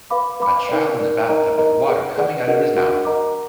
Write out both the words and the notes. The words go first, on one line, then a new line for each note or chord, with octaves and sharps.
A child in the bathtub with water coming out of his mouth.
B4 F5 B5 D6
B4 F5 B5 D6
D#4 A#4 D5
D#4 A#4 D5
D#4 A#4 D#5 A#5
D#4 A#4 D#5 A#5
G#4 B4 D5 F#5
G#4 B4 D5 F#5
D4 F#4 A#4 D#5 F#5
D4 F#4 A#4 D#5 F#5
A#4 D#5 A#5 D6